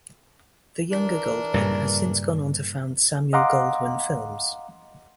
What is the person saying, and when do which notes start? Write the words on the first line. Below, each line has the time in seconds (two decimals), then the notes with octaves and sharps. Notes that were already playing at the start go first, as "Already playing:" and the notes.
The younger Goldwyn has since gone on to found Samuel Goldwyn Films.
0.88 E3 D4 A#4
1.54 G2 A#2 C#3
3.33 D#5 F5 F#5 A#5 C6 D6